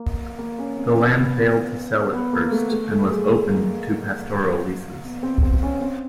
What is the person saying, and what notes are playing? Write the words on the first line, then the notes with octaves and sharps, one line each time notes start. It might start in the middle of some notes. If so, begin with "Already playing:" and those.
The land failed to sell at first and was opened to pastoral leases.
Already playing: A#3
A#3
C#4
C4
B3
B3
B3
A#3
A3
A3
A3
G#3
G#3
A3
A#3
B3
C4
C4
C#4
C4